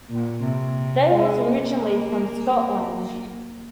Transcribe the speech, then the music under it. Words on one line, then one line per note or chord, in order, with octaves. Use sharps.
Dave was originally from Scotland.
A#2
C3
G#3
A#3